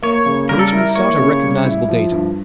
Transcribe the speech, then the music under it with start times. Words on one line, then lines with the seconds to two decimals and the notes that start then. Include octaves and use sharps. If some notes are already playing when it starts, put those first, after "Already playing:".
Sir Richmond sought a recognizable datum.
0.03 A#3 C#5
0.26 C#3
0.49 G3 A#4
0.59 A4
0.68 A#4
0.73 E4
0.96 A#3 C#5
1.19 C#3
1.43 G3
1.65 E4
1.89 F3
2.11 G2